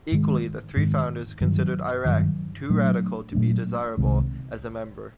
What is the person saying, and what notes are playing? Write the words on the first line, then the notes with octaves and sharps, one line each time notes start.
Equally the three founders considered Iraq too radical to be desirable as a member.
G#2 D#3 G#3
G#2 D#3 G#3
G2 D#3 F#3
G2 D#3 F#3
A#2 F#3 A3 D4
A#2 F#3 A3 D4
C2 C3 D#3 G#3